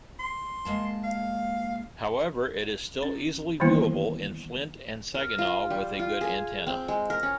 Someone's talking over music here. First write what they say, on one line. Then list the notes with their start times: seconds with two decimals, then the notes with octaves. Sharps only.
However, it is still easily viewable in Flint and Saginaw with a good antenna.
0.20 C6
0.65 G#3 A#3 A5
1.04 F5
3.03 C#4
3.60 D#3 E3 G3 A#3 B3 E4
5.14 A#4
5.38 F4
5.70 G3
5.99 F4
6.21 G#4
6.67 C4
6.88 G#3
7.10 A#4
7.23 C#4